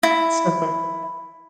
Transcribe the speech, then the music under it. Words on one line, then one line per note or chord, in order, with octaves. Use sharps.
So far.
E4